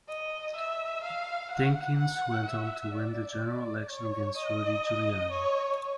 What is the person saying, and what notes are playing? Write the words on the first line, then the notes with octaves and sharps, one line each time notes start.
Dinkins went on to win the general election against Rudy Giuliani.
D#5
E5
F5
F#5
F#5
E5
D5
C#5
D#5
C#5